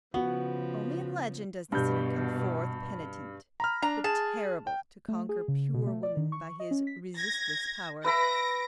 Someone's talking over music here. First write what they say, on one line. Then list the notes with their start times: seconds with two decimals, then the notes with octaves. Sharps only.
Only in legend does the sinner come forth penitent, but terrible, to conquer pure woman by his resistless power.
0.14 C#3 F3 B3 F#4
1.72 G2 B2 G6
3.60 A#5 B5 F6
3.82 D4 A#5
4.04 G#4 A5
4.67 G5
5.08 A3
5.29 G#4
5.48 C#3
5.74 B2
5.87 A3
6.03 D5
6.17 D#3
6.32 C#6
6.60 D#5
6.71 C#4
6.87 B6
7.16 G#6 A#6
8.04 B4 E5 B5 A#6 D7